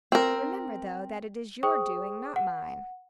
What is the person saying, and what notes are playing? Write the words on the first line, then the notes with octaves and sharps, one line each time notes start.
Remember, though, that it is your doing, not mine.
C4 A#4
G#4 C5 G5 C#6 D#6
F#5